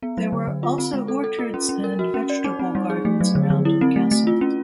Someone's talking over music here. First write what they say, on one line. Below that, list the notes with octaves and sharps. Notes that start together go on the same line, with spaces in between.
There were also orchards and vegetable gardens around the castle.
B3
F#3
D3
D3
F4
C4
G#3
A4
A4
F4
C#4
C#4
A#4
F#4
C#4
D5
D#4
C4
G3
G#4
A3
F#3
D3
D3
E4
C4
A3
A3
F4
C#4